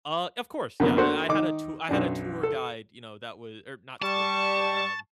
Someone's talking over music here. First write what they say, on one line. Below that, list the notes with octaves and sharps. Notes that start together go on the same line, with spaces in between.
Uh, of course, yeah, I I had a to I had a tour guide, you know, that wa or not tour guide, but, um-
F#2 D3 A#3 B3
A#3 D4 F#4 A4 C5 F#5
D#3 D#4 D6
B1 F#2 D4
A4
G3 A5 C#6